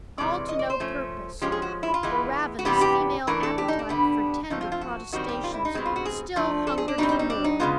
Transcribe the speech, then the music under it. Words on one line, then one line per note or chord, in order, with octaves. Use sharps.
All to no purpose! The ravenous female appetite for tender protestations still hungered for more.
C3 E3 G#3 C#4 D5
D#5
D5
C5
F3 A3 C#4
F3 G#3 C#4 G4
G#4
F#4
E4
F4
E3 G#3 B3
F#4
C3 E3 G3 B3 D4 G4
G4
E3 A3 D4 A#4
A4
G4
D#4
D4
D3 G3 B3 D4
F3 A3 C4 D#4
F4
F4
F#4
D#3 G3 C4 F#4
G4
F4
E4
D#4
B2 G#3 C4
F4
F#4
G#4
F3 A3 D4
A4
G#4
D4
B2 G3 C4 D#4
D#4
D#4
D4
D#4
C#3 F3 G#3 B3 F4